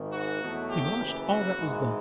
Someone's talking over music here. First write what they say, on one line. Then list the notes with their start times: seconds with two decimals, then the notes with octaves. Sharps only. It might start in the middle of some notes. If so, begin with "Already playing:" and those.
He watched all that was done.
Already playing: G#1 G#2 D#3
0.12 F#4
0.41 E2 B2 F#3 A3
0.69 G4
0.98 F#1 F#2 C#3 E3
1.26 F#4
1.55 G#1 G#2 E3 G#3